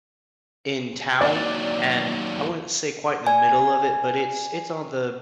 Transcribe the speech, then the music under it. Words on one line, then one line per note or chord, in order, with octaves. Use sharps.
in town, and I wouldn't say quite in the middle of it, but it's it's on the
D#2 F#3 D5
D5 G#5